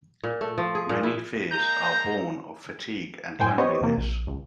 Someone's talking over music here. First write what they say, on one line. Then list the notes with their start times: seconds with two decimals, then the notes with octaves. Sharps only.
Many fears are born of fatigue and loneliness.
0.23 A#2
0.41 A3
0.58 F3
0.75 G#4
0.89 A#2
1.03 E4
1.51 G#3 A#3 A#5 G6
3.39 F#2 A2 C5 G5 G#5
3.58 B3 G4 C5 C#5 D#5
3.81 E2 C3 A#3
3.97 A#1
4.27 C#2